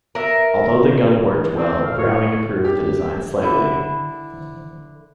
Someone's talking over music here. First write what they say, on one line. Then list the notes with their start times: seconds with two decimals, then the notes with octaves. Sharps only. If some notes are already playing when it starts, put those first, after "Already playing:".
Although the gun worked well, Browning improved the design slightly.
0.15 A#4 E5
1.35 E2
1.57 C4
1.85 F5
1.98 A2 C#5
2.64 G4
3.42 D3 E4